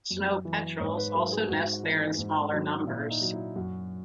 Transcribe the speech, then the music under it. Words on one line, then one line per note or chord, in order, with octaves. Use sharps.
Snow petrels also nest there in smaller numbers.
F#2
E3
G#2 C#5
B4
F#3 A#4
G#4
G#2 F#4
E3
G#2
D#3 F#3
A#2 E4
D#4
F#3
E4
F#2 F#4